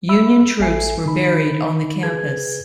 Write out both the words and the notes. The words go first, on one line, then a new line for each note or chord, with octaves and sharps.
Union troops were buried on the campus.
E5 B5 E6
A1 A4 E5 G#5 C7
D#3 D#4 B5
G#4 B4 G#6